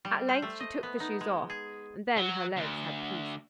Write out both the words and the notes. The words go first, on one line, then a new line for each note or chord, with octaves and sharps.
At length she took the shoes off, and then her legs had peace.
G3
C5
A3
D#5
B3
D#4
G#3
G#4
F#3
D2